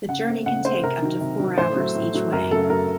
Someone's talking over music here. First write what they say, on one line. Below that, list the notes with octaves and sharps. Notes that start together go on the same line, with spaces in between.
The journey can take up to four hours each way.
C#3 F#5
A3 C4
C#3 F#5
A3 C4 C5
C3 A#4
D#3 F#3
C3
D#3 F#3
A2 C5
F#3 A3
A2
F#3 A3
F#2 A#4
C#3 F#3 A3 A4
F#2 A#4